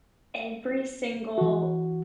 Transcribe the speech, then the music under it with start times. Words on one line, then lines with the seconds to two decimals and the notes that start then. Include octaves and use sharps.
every single
1.38 E3 F#4